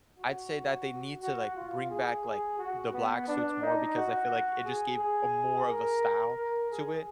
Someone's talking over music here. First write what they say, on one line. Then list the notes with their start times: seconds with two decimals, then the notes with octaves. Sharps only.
I'd say that they need to, like, bring back, like, the black suits more because I feel like it just gave a more of a style to it,
0.18 F#4
1.22 F#4
1.56 F4
1.90 G#4
2.24 G#4
2.58 F#4
2.93 B3
3.27 D4
3.62 D#4
3.96 F#4
4.65 G#4
4.99 G#4
5.68 A#4
6.36 A#4
6.71 G#4